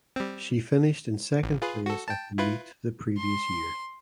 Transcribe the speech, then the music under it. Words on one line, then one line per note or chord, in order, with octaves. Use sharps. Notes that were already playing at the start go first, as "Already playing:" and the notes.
She finished in second place at the meet the previous year.
G3 C4
A1
F4 G#4 B4
F#4 A4
G5 A5
E4 F4 B4
C6